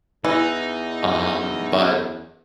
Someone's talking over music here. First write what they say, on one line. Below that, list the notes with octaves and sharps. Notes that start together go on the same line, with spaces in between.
Um, but,
E2 E3 D#4